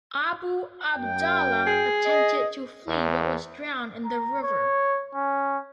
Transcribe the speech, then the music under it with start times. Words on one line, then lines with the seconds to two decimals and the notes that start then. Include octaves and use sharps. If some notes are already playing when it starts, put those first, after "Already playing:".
Abu Abdallah attempted to flee but was drowned in the river.
0.94 F#2 G5
1.67 G#4
2.05 D#5
2.88 E2
4.05 A#5
4.43 C#5
5.15 C#4